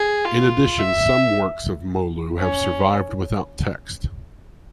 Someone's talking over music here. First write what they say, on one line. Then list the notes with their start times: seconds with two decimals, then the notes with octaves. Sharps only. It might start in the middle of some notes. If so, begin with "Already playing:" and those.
In addition some works of Moulu have survived without text.
Already playing: G#4
0.25 F4
0.79 E5
2.39 C#4